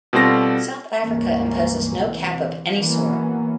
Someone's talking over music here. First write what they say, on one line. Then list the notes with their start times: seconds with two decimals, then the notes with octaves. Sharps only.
South Africa imposes no cap of any sort.
0.13 B2 G3 C4 F4 A4 A#6
1.01 C#2 G2 E3 A#3 C#4
1.94 C3 E3
2.76 E3 F#3 A#3 B3 C#4